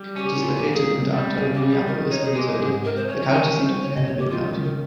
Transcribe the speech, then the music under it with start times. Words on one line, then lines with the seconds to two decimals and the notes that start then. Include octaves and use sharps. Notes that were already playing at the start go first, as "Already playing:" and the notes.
It is located in downtown Minneapolis, Minnesota, the county seat of Hennepin County.
Already playing: G3
0.16 C#4 G4
0.35 D#4
0.40 A#2 F4
0.57 G4
0.65 A#2
0.73 G#4
0.89 C#2
1.13 G3
1.38 C#3 G#4
1.54 G4
1.62 G3
1.70 G#4
1.87 D#3 A#4
2.11 D#4 C#5
2.23 G#4
2.35 G#3 G4
2.49 G4
2.60 G#2 G#4
2.84 C3 A#4
2.96 C5
3.09 C#4 C#5
3.21 C#5
3.33 C#4 A#4
3.57 C2 C5
3.82 C#2 C#5
3.94 D#5
4.06 C#2 C#5
4.19 G4
4.30 D#3 F4
4.46 F4
4.55 C#2
4.63 A#4